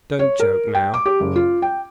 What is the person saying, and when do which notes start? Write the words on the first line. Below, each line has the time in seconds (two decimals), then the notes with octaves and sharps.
Don't joke now.
0.19 C#5
0.40 A#4
0.75 G5
0.94 D6
1.06 G4
1.20 F#1
1.36 F4
1.62 G5